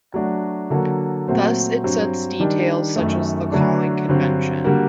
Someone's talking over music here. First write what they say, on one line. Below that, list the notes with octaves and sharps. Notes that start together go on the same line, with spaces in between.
Thus it sets details such as the calling convention.
F#3 A3 D4 F#4
D3 F#3 A#3 F#4 A4
A#2 F#3 A3 C4 F#4
G2 F#3 C4
D#3 G3 D4
F#2 D#3 A3
D3 F#3 A3 D4
G2 D3 F#3 C4
D3 G3 A#3 F#4